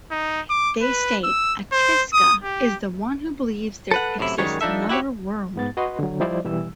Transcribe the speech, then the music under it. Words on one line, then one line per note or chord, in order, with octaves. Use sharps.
They state, Astika is the one who believes there exists another world.
D#4
D6
B4
E6
C5
D#6
G4
A4 B4 F#5
F#2 A2 C3 E4
F#2 D#3 G3 G#3 C#5
F3 D4 D#4 A4 E5
E4 F#4 G4 C5 C#5
G#2 B3 A6
F#4 B4 D#5 C6
D3 F#3
F3 G3 E4 C5 D5 D#5
B2 E3 G3 E6